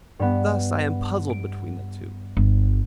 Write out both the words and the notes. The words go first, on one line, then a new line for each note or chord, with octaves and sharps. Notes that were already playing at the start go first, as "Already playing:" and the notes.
Thus I am puzzled between the two.
G2 B3
D7
G1